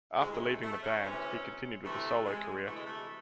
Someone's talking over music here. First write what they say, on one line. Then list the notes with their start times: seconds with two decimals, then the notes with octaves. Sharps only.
After leaving the band, he continued with a solo career.
0.20 D2 C3 E3 G#3
0.34 G#3
0.41 A3
0.62 A3
0.82 C#4
1.02 D2 C3 E3
1.84 D2 C3 E3 A3
2.25 G#3
2.66 D2 C3 E3 A3
2.75 G#3
2.85 A3